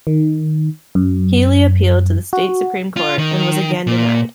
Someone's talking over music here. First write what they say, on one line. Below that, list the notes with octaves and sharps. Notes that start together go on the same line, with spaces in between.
Healy appealed to the State Supreme Court and was again denied.
D#3
F#2
F#4
F4
D#3
A#2